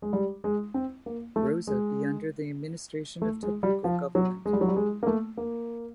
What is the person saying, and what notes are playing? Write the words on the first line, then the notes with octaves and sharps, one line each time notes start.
Rosa be under the administration of Tabuko government.
G#3
G3
G#3
C4
A#3
A3
G#3
A3
G#3
G3
F3
F#3
G#3
G3
F#3
G3
G#3
A#3
A3
A#3